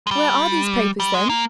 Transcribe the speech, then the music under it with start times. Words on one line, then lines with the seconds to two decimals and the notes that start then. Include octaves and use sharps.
"Where are these papers, then?"
0.07 G#3
0.11 G3
1.00 G3
1.14 G#3
1.29 A#3